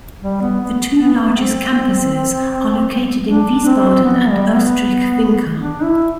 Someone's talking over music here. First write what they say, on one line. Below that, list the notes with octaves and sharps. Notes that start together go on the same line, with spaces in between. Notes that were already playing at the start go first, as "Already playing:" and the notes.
The two largest campuses are located in Wiesbaden and Oestrich-Winkel.
G3
B3
B3
B3
C4
D4
C4
B3
G3
A3
B3
D4
E4